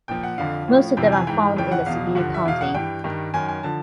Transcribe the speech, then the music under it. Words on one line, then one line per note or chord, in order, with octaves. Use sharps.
Most of them are found in the Sibiu County.
A#2 F3 G5
F#5
F2 D3 F3 F5
A2 F3
F2 C3 E3 G5
G#5
G#2 E3 G5
F2 C#3 E3 G5
F#5
E2 B2 F5
G2 D3 F3 F#5
E5
E2 B2 F5
F#5
G2 E3 G5
G2 D#3
F#2 D#3 G#5
G#5
D3 F3 A5